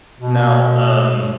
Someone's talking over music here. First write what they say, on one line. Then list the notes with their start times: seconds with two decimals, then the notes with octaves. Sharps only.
Now, um,
0.20 B2